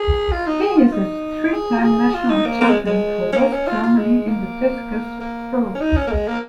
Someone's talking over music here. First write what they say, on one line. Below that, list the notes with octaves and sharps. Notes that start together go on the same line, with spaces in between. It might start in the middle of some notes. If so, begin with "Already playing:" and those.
He is a three-time national champion for West Germany in the discus throw.
Already playing: G#4
F4
D#4
G#4
F4
D#4
G#4
F4
G#4
F4
D#4
A#3
A#3
G#3
G#3
C#4
A#3
C#4
F4
F4
G#3
A#3
A#3
C#4
D#4
C#4
A#3
G#3
A#3